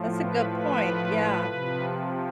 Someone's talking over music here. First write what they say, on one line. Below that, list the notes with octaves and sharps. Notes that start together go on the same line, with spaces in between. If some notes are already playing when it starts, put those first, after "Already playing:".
that's a good point, yeah,
Already playing: A2 F3
B4
B4
C3 F3